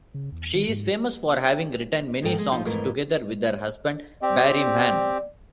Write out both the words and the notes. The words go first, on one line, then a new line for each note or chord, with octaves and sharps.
She is famous for having written many songs together with her husband Barry Mann.
C#3
E2
D#3
G#2
E2 G#2 A4 G5
G#3
F3 D#4 F4
F2 G#2 E3 A3 A#4
C4 G4 D5